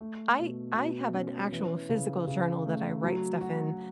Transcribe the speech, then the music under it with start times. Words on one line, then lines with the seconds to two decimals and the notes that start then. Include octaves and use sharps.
I I have an actual physical journal that I write stuff in,
0.01 A3
0.38 B2
0.76 B2
1.14 C#4
1.52 E3
1.89 C#3
2.27 C#3
2.66 A3
3.03 F#3
3.41 F#4